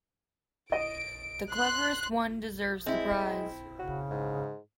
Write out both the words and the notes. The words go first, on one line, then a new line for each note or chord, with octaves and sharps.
The cleverest one deserves the prize.
D#5 D7
C6 F#6
G#3 C4 E4
C#3 F#4
G#2